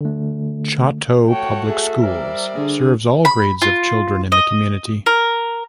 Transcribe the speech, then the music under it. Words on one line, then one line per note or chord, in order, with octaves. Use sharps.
Choteau Public Schools serves all grades of children in the community.
D3 A3
A3 F#4 C#5 G5
G#4 A4 E5
G3 A#4 C5 D5
D3 G#4
B5
F4
D#5
A#4